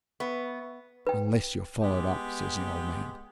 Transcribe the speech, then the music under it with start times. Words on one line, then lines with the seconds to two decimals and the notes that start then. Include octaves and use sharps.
'Unless you're followed up,' says the old man.
0.20 B3 B4 E5 C#6
1.07 B4 G5
1.82 G#3 B3 G4